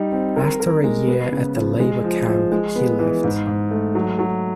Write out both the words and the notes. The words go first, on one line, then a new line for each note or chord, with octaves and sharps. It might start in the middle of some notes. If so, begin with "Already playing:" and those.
After a year at the labor camp he left.
Already playing: G3 D#4
C4
A#4
A#4
G#3
B3
C#3
F3
G#3
F3
F3
G#3
B3
E3
G#2
G#2
A3
F#3
F#3